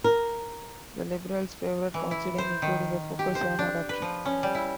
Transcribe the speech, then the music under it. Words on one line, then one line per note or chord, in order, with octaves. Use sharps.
The Liberals favoured counselling, including a focus on adoption.
A#4
E3
E4
C5
D#3
G4
C5
D4
B4
F3
C#4
G3
E4